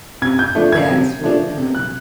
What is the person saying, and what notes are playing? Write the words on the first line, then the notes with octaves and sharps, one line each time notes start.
that's what, um
C3 G#6
G6
F3 A3 D4
G#6
C3
F3 A3 D4
C3
F#6